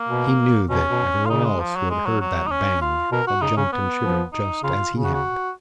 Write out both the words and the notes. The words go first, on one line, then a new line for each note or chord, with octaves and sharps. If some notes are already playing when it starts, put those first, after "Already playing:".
He knew that every one else who had heard that bang had jumped and shivered just as he had.
Already playing: A#3
B2
B2 C#4
B2
F4
C#3 D#4
G#3
F3
F#3
G#3
F#3
F#3
D#4
C#4
F4
B2 A#4
F#4
C#3 D#4
C#3 C#4
B3
F3
D#4
C#3 F4
C#3
F#4
F#4